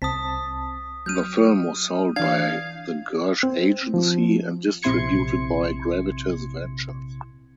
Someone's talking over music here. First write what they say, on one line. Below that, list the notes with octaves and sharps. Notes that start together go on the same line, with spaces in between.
The film was sold by The Gersh Agency and distributed by Gravitas Ventures.
C2 C4 A5 D#6 B6
F#3 F6 G6 D#7
E3 D4 F5 G#6
C4
F3
A#1 C3 E4 C6 G#6 C#7